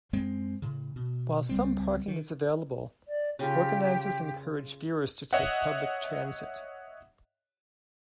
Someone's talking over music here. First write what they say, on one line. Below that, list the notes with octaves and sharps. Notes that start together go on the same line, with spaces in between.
While some parking is available, organizers encourage viewers to take public transit.
F#2 G#3 C4
A2 C#3
B2
C#2 G3 C4
D#3
D5
C#3 F4 G4
C#5 D#5 E5 F#5